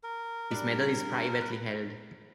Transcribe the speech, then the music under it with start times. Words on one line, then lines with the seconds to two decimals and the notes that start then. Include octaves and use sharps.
His medal is privately held.
0.03 A#4
0.51 G2 D4 D5
1.41 B4